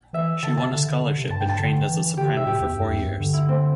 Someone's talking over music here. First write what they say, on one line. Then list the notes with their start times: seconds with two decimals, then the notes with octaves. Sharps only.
She won a scholarship and trained as a soprano for four years.
0.13 E3 E5
0.43 D3 A5
0.57 C3 A5
0.72 D3
0.86 D3
1.01 D3
1.16 C3
1.30 G2 A5
1.40 G5
1.49 A5
1.59 D3
1.88 E3
2.02 E3
2.17 D3 G4
2.32 C3 E5
2.46 A2 G4
2.60 E2
2.75 G2
2.90 E2
3.05 G2
3.20 D3
3.33 E4
3.49 C4